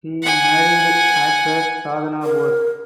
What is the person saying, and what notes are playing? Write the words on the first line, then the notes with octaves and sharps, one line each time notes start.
He married actress Sadhana Bose.
F#5 G#5
A#4